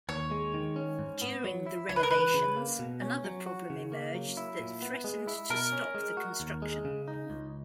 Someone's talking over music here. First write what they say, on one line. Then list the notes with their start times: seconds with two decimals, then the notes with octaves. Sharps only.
During the renovations, another problem emerged that threatened to stop the construction.
0.09 D#2 C#5
0.31 G#3
0.54 D#3
0.76 C#4
0.99 G#2
1.22 B3
1.44 F#3
1.66 E4
1.89 C#2 C#5
1.96 B4
2.03 A#4
2.11 E3 B4
2.34 C#3
2.56 A#3
2.79 B2
3.02 C#4
3.24 F#3
3.46 F#4
3.70 C#3
3.92 A#3
4.15 F#3
4.37 E4
4.60 A#2
4.82 B3
5.04 G#3
5.27 E4
5.50 B2 A#4
5.72 C#4
5.95 G#3
6.17 F#4
6.40 D#2
6.62 G#3
6.85 C#3
7.08 D#4
7.30 C#2